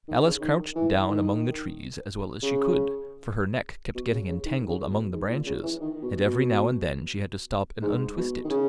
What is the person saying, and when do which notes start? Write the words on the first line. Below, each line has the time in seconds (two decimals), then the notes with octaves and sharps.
Alice crouched down among the trees as well as she could, for her neck kept getting entangled among the branches, and every now and then she had to stop and untwist it.
0.08 D#3
0.24 C#3
0.41 D#3
0.75 E3
1.08 D#3
2.43 C#3
3.95 B2
4.12 C#3
4.29 C#3
4.46 D#3
4.68 C#3
4.90 B2
5.13 G#2
5.30 A#2
5.46 C#3
5.63 E3
5.81 D#3
6.02 B2
6.25 B2
7.82 G#2
8.17 B2
8.44 D#3
8.50 C#3